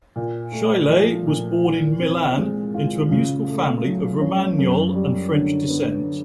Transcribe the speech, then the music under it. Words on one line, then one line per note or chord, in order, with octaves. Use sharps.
Chailly was born in Milan into a musical family of Romagnol and French descent.
A#2
A3
F3
A#2
E3
C4
G#3
F4
C#3
A3
F#3
C#4
F#2
G3
D3
B3